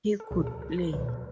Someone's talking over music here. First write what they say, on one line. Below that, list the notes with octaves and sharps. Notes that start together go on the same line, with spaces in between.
He could play.
A4
C#2 B2 F#3 G#4
A4
A#4
B4
C#2 B2 F#3 B4
A4